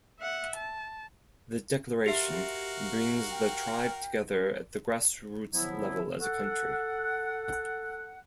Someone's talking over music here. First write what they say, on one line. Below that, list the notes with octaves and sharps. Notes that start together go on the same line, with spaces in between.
The Declaration brings the tribe together at the grassroots level as a Country.
E5 F#5
A5
F#4 G4 A#4 E5 F5
G5
D3 F3 F#3 B3 E4
A4 F#5